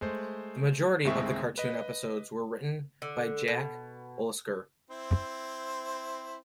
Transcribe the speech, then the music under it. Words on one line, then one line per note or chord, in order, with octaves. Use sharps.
The majority of the cartoon episodes were written by Jack Olesker.
G#3 A3 C5
D#2 A2 G#3 C4 E5 C#6
B4 D#5
D3
B2
C4 E4 C5